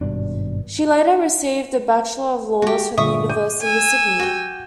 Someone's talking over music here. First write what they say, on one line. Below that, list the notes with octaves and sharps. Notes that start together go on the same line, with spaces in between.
She later received a Bachelor of Laws from the University of Sydney.
G#1 G2 B2 D4
G#3 F#4 G4
G1 A#2 E5 C#6 D#6
D6 G6 D#7
G#5 E6
F#4 G5